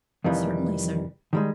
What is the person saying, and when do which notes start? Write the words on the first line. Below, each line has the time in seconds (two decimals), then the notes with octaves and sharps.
"Certainly, sir."
0.24 F2 C3 D#3 E3 G3
1.33 D#3 G3 G#3